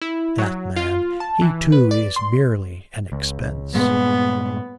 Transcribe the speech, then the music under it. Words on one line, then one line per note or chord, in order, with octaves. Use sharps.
'That man--he, too, is merely an expense.'
E4
F#3
F4
A5
E3
B4
D5
C6
C#2
G2 A#2 G#3 B3